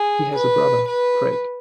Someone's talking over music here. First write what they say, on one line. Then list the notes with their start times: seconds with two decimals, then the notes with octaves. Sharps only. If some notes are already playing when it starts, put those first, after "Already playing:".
He has a brother, Craig.
Already playing: G#4
0.35 B4
0.87 B4